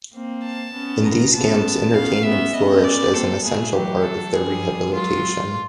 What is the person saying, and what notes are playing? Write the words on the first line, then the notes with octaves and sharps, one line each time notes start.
In these camps entertainment flourished as an essential part of their rehabilitation.
A#3 C4
A5
B3 C#4
A#5
B3 C#4 A5
B3 C#4 F5
B3 C#4 E5
B3 C#4 D#5
D5
A#3 C4 A4
A3 B3 G#4
E3 F#3 G4
A4
F3 G3 G#4
F#3 G#3 F4